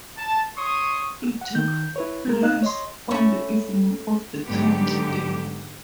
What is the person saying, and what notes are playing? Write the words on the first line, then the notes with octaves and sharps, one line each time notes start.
It takes place on the evening of the tenth day.
A5
C#5 C6 C#6 D#6
F#5
D#3 G6
E4 B4 C#5
G#3 A#4
C4 D#4 D#5 F5 F#6
C#5 D#5 C6
A3 C#4 E4
G#2 D3 F#3 B3 G4